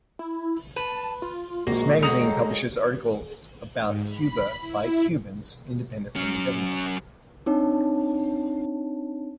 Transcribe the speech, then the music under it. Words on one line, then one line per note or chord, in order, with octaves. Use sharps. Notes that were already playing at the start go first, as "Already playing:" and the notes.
This magazine publishes articles about Cuba by Cubans independent from the government.
E4
B4 A5
F4
A#1 G#3 A#3 F#4
D#3 F#3 A#3 A4 D#6 C#7 F7
G#2
B5
E4
F#3 C#4
C4 D4 D#4 C#5 A5